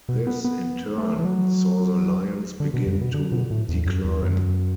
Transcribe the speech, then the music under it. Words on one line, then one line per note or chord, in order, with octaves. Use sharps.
This in turn saw the lions begin to decline.
B2
B3
B3
A3
E3
F#3
D3
B2
F#2
B2
D3
B2
A2
E2
F#2
E2
F#2